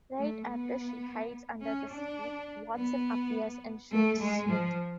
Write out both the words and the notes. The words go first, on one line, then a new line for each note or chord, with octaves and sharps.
Right after she hides under the seat, Watson appears and shoots Smith.
A3
B3
C#4
D4
B3
A3
G#3
F3